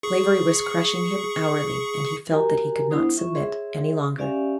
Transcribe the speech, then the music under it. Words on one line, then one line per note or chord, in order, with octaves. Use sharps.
Slavery was crushing him hourly, and he felt that he could not submit any longer.
G#4 C#6 C#7
F#4 G4 A#4 G#5 A#5
F#3 B3 D4 E4 C5 D#6
F4 E5 C#6
G#4 C#5 E5 C6
C6
C#4 G4 D5 E5 F5 G#5